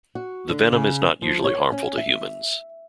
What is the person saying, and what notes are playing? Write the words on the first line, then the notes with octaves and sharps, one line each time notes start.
The venom is not usually harmful to humans.
F#4
D3
C#3
F3
C#5
C#4
E5